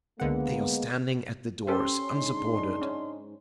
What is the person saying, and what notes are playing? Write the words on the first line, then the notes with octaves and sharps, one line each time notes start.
They are standing at the doors unsupported.
C#2 D3 G#3 A#3 B3 F#5
C#4 G4 A4 C5 C6
G#3 D4 D#4
G#2 C#4